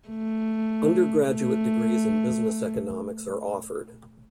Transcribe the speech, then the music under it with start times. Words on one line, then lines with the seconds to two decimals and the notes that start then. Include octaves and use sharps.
Undergraduate degrees in business economics are offered.
0.08 A3
1.28 A3